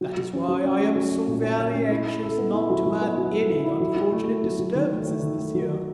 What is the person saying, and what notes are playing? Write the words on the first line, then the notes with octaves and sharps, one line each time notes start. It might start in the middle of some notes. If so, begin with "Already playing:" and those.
That is why I am so very anxious not to have any unfortunate disturbance this year.
F#3
F#3
C#4
F#3
C#4
A3
F#3
A3
A#2
C#4
C#4
C#4
E4
E4
A4
B3
E4
F#3
F#3
B3
F#3
A4
E4
E4
F#3
F#3
A3
A3
F#3
F#3
D#3
A3
A3
D#3
A3
F#3